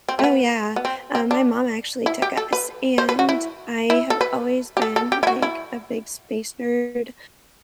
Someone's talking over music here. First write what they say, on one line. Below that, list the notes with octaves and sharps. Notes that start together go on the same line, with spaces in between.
Oh, yeah, uh, my mom actually took us, and I have always been, like, a big space nerd.
C4
A3
B3
B3
C4
C4
D4
E4
G4
A4
B4
C5
B4
F#4
E4
E4
A4
B4
G4
A4
A4
G4
E4
F#4
E4